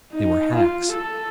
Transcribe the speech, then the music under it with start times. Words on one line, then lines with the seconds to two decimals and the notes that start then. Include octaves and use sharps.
They were hacks.
0.12 D#4
0.53 F4
0.93 A4